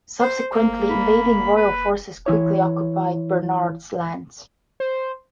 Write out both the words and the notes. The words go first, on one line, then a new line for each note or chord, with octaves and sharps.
Subsequently invading royal forces quickly occupied Bernard's lands.
C5
A#3
B5
B4
E3 E4 C#5
C5